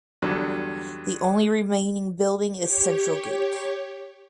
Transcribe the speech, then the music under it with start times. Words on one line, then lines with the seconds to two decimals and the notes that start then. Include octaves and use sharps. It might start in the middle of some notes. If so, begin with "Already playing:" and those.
The only remaining building is central gate.
0.22 E2 G2 D3 F#3
2.54 G4 C#5